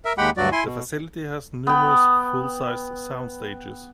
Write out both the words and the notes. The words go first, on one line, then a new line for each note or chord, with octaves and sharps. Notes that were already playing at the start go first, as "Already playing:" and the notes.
The facility has numerous full-size sound stages.
A#4 E5
D#2 G#3 G4 F#5 G5 B5
D2 G2 F#3 F#4 D5
E4 G#5 C6
B2
B3 G5